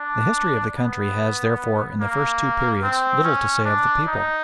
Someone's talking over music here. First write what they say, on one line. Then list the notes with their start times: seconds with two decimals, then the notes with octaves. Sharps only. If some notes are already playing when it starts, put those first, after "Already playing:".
The history of the country has, therefore, in the first two periods little to say of the people.
Already playing: D4
0.77 B3
2.01 A#3
2.83 C4
3.24 C#4
3.65 D4
4.08 D#4